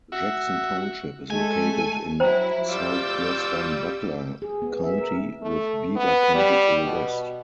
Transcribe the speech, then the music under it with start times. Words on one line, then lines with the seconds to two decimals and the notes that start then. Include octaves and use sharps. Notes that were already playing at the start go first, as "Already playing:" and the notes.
Jackson Township is located in southwestern Butler County, with Beaver County to the west.
0.12 F#4 E5
1.31 G#3 A3 A4 G#5
2.20 F#3 E4 C5 G5 A#5
2.68 G3 F4 D6 E6 G6
4.42 G#4
4.62 B3
4.84 E5
4.98 A#4
5.42 A3
5.95 B3
6.35 G3
6.84 B2